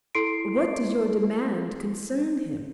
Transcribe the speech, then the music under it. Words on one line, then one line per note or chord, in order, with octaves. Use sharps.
What does your demand concern him?
E4 A4 C6 C7 D7